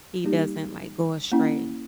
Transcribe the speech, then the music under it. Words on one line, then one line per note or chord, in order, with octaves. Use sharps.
he doesn't, like, go astray.
G3 A#3 D#4 G4
A#3 C#4 E4